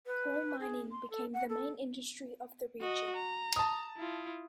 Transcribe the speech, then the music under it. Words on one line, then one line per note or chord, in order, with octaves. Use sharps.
Coal mining became the main industry of the region.
B4
G#4
C6
A4
F#5
A4
F#4 D#5
A#5
A5 D#6
E4 F4